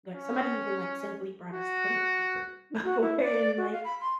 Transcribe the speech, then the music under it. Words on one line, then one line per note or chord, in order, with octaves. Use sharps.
but, somebody even, like, simply brought us toilet paper before and, like
C#4
F#4
F#4
E4
D5
F#4
F5
B5
C6